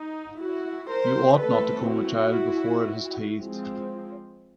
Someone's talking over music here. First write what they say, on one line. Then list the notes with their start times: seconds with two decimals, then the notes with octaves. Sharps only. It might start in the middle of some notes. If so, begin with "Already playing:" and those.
You ought not to comb a child before it has teethed.
Already playing: D#4
0.42 E4 F#4
0.92 A#4 C5
1.41 E3 A3 C4 A4 B4
1.90 E4 F#4
3.39 F3 G#3 C4